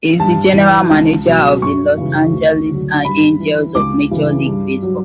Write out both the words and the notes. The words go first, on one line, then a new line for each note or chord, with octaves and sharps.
He is the general manager of the Los Angeles Angels of Major League Baseball.
G2 A5
E3
C#2
B2 F#3
F#2 C#6
C#3 E3
D2
D3 F#3
G2 B5
E3
C#2 D6
C#3 E3
G2
F#3